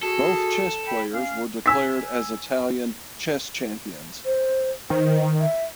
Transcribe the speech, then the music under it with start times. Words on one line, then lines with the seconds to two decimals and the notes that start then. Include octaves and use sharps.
Both chess players were declared as Italian chess champions.
0.03 F#4 G#4 A4
0.86 G5 B5
1.12 C#4 F5
1.66 G#5 E6 B6
4.26 C5
4.90 D#3 C5
5.40 E5